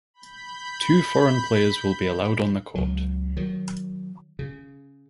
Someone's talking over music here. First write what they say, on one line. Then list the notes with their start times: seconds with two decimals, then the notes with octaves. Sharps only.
Two foreign players will be allowed on the court.
0.14 B5 G6
2.75 C#2 F#3
3.37 D#3 F#3
4.39 C#3